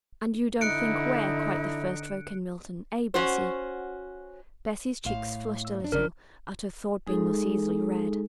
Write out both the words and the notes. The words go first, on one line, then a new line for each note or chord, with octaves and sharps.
'And you don't think we're quite the first folk in Milton, eh, Bessy?' Bessy's cheeks flushed a little at her thought being thus easily read.
D3 D#4 E4 F#6 C#7 D7
C#4 F#4 C5
A#1 A2 F5 C6 E7
E6
F#2 D4
G1 C#3 A#4 D5
G#3 D#4 G#4 A4